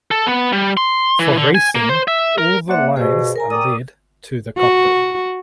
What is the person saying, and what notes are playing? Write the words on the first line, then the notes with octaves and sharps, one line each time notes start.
For racing all the lines are led to the cockpit.
A4
B3
G3
C6
E3
D3
G#5
A#3
C5
E5
A#4
A#3 C5 D5 E5 F#5
G2 B2 G#4 C5
A#4 G#5 A#5
A#4 D5 G5 D#6 E6
F#4